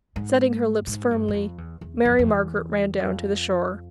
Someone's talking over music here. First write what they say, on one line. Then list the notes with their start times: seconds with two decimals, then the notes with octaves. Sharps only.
Setting her lips firmly, Mary Margaret ran down to the shore.
0.16 G#2
0.87 G#2
1.11 G2
1.28 G2
1.34 F2
1.58 E2
1.81 E2
2.05 F2
2.19 F2
2.29 E2
3.00 F2